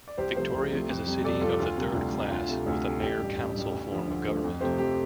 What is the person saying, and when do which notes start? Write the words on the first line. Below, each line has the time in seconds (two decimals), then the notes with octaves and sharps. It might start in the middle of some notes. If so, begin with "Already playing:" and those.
Victoria is a city of the third class with a mayor-council form of government.
0.08 D5
0.18 C2 G4 C5
0.35 C3 F3 A3 G4 C5
0.53 C2
0.72 C3 F3 A3
0.89 F2
1.07 C3 G3
1.24 F2 A4 D5
1.42 C3 G3 F4 A4
1.59 D2 F4
1.77 C3 G3
1.95 D2
2.13 C3 G3
2.31 D2 F4
2.49 C3 A3
2.66 D2
2.83 C3 A3
3.02 A1 G4
3.19 G2 G3
3.37 A1
3.55 G2 G3
3.72 D2
3.90 D3 F3 A3
4.08 D2
4.25 D3 F3 A3
4.44 F2
4.61 C3 F3 A3 G4 C5
4.78 F2 G4